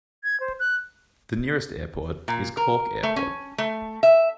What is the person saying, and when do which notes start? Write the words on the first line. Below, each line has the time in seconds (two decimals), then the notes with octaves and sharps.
The nearest airport is Cork Airport.
0.24 G#6
0.40 C5
0.60 F#6
2.28 A#2
2.57 A#4
3.03 A3
3.16 C#4
3.58 A3
4.03 E5